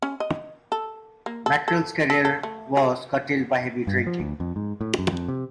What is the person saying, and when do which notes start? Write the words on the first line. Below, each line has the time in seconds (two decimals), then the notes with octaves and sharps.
Mackerell's career was curtailed by heavy drinking.
0.02 C#4
0.20 D#5
0.72 A4
1.26 A#3
1.46 A4
1.68 A4
2.10 A4
2.25 A4
2.43 A3
2.77 G#4
3.87 G2
4.07 F3
4.20 D2
4.40 F2
4.56 G#2
4.81 A2
4.99 F#2
5.12 F2
5.28 C3